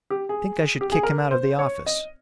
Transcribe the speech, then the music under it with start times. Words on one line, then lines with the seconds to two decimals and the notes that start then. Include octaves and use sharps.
"I think I should kick him out of the office."
0.10 G4
0.29 G#4
0.81 G4
0.92 G#4
1.03 A#4
1.31 C5
1.59 C#5
1.86 D#5